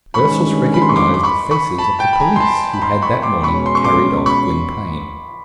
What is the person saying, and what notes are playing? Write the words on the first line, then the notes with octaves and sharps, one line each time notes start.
Ursus recognized the faces of the police who had that morning carried off Gwynplaine.
G2 D#3 G#3 C#4 B5 C#6
B5
C6
C#6
C6 D6
D6
B5 C#6
B5 C#6
A5 B5
G5 A5
B5
G#5 A#5
C6
A5 B5
B5
A#5 C6
B5 C#6
C6 D6
B2 G#3 C#4 B5 C#6
C6
C#6
C6 D6
B5 C#6